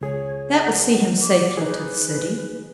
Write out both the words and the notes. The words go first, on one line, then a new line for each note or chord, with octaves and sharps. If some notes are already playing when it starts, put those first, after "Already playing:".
That will see him safely to the City.
C#2 G#4 C#5
F#5
D6
D#4 G#4 B4